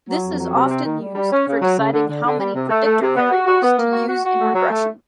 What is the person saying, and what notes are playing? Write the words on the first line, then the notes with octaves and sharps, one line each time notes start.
This is often used for deciding how many predictor variables to use in regression.
F#3
F2
F#3
C3
C4
D#3
G3
G3
C#4
C#3
F#3
C#3
D3
D3
D3
G3
C3
A3
A3
C3
B3
F#4
F#4
B3
A#3
F#4
F#4
F#4
A3
F#3
A3